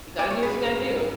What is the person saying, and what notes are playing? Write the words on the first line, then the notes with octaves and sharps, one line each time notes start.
You gotta do what you gotta do.
D5
C#5
G#2 G#3 C#4 F#4 G#4 B4